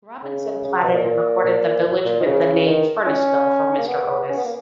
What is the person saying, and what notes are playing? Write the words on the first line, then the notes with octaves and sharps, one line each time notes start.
Robinson platted and recorded the village with the name "Furnaceville" for Mr. Otis.
C#3
C#3
B2
A#2
A#2
A#2
A#2
D#3
C#3
D#3
C#4
A#3
B3
C#4
B3
A#3